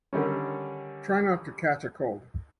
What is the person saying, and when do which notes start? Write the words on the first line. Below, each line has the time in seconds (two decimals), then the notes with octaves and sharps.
Try not to catch a cold.
0.13 D3 D#3 G3 C#4